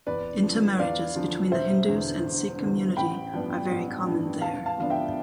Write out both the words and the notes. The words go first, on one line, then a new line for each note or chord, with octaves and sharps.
Intermarriages between the Hindus and Sikh community are very common there.
E2 B4 D5
D3 F3
E2 D5 F5
D3 F3
E1 C5 E5
E2 D3
E1
E2 D3
A1 G5 B5
G2 F3 B3 D4
A1
G2 F3 B3 D4
E2 F5 A5
F5 A5
D3 F3 B3 D4 F5
E5 G5